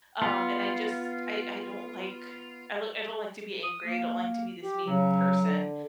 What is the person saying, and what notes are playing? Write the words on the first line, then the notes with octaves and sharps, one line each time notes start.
Um, and I just, I I don't like, I l I don't like to be angry, I don't like to be this mean person.
B3 F4
D#6
A#3
G4
C#3 F#3
D3